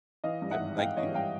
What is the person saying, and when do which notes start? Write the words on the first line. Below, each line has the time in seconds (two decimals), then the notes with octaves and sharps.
Yep, thank you.
0.24 E3 D#5 F5
0.42 G2
0.51 E5 F#5
0.60 G#1
0.78 G#1 F5 G5
0.96 E3 C#5 D#5
1.14 G2 F5 G5